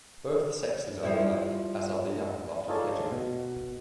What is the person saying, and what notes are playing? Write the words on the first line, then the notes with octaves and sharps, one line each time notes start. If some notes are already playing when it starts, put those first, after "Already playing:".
Both sexes are alike, as are the young after fledging.
F3 G3 E4
D#4 F4 G#4 A4 C#5 D5
B2